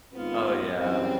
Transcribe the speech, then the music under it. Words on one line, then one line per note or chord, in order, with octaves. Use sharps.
Oh, yeah.
G#2 D#3 G#3 B3 C4 F4
F#2 C#3 E3 G3 C4